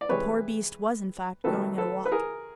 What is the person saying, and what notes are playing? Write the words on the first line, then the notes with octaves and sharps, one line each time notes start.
The poor beast was, in fact, going at a walk.
D5
C3 E3 G#3 B4 C#5
C3 D#3 F#3 A3 A4 B4
A4 B4
B4
G#4 A#4